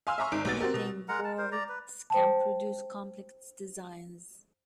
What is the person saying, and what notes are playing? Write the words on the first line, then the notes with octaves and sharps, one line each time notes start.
Knitting boards can produce complex designs.
F5 G#5 C6 E6 F6
E5 G#5 A#5 C6 C#6
G#1 D#4 D7
B1 F#3 B3 A6
C4 F#4 G4 A#4
B2
G#3 A#4 F#5 A#5
A5
A#4 C5
D5 A#5
B4
C5 G5 A5